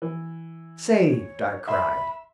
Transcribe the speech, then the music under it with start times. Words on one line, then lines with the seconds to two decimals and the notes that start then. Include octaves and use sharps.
"Saved!" I cried.
0.02 E3
1.07 C#5
1.67 E5 B5 C6